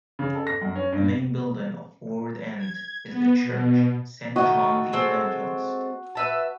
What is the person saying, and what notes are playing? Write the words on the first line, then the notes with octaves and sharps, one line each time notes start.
A main building of Ford End is the church "Saint John the Evangelist".
C#3
A4
A#6
F#2
C#4
G2
G#6
B3
B2
D#3 A3 F#4 D#5
G#3 C4 A4
B4 E5 A5